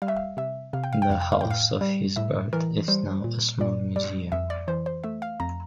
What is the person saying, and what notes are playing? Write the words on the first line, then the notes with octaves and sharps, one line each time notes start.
The house of his birth is now a small museum.
G3 F5
E5
F5
C3 E5
C3 F5
G5
F5
G5
F2 F5
G5
F5
A2 G5
F5
G3
A2 E5
E3 A#4
G3 C5
A#2
A#2 D5
G3 D5
F2 E5
D5
E3 C5
C5
A3 E5
F5
F2 A#5